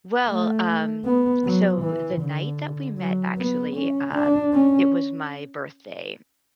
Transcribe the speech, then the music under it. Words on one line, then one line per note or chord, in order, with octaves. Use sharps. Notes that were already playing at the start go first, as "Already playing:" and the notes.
Well, um, so, the night that we met, actually, um, it was my birthday.
A3
B3
F#3
E3
D3
F#3
B3
C#4
D4
C#4